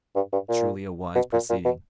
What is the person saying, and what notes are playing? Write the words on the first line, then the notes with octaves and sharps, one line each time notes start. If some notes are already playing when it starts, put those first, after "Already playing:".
Truly a wise proceeding!
G2
G2
A#2
B2
A#2
A#2
B2